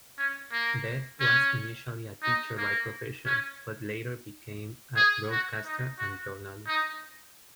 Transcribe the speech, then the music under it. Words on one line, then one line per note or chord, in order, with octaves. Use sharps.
Bebb was initially a teacher by profession, but later became a broadcaster and journalist.
C#4
A#3
C#4
D#4
A#3
C#4
G#4
F#4
D#4
F#4
D#4